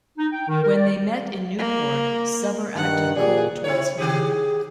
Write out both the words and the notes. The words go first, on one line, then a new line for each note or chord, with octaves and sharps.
When they met in Newport, Summer acted cold towards him.
D#4
G5
D#3
A#4
D5
A#3
G2 D#3 F#5
A#2 G4 G#4 D5
C4 E4 C#5
D#3 G4 G#4